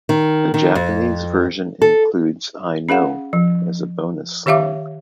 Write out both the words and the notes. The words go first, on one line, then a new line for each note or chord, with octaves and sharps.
The Japanese version includes "I Know" as a bonus song.
D#3
D#3
F2
A4
C#4 G#4 F5 F#5
F3
D#3 G4 C#5 E5 F5 D6